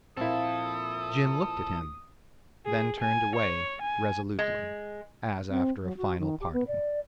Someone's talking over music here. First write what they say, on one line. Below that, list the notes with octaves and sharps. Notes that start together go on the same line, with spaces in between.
Jim looked at him, then turned away resolutely, as after a final parting.
A#2 F3 C4 E4 A4 D#6
G#4
G#5
C#5
G#5
G#3
C4
F#3
F#4
D#3
G4
B3
D5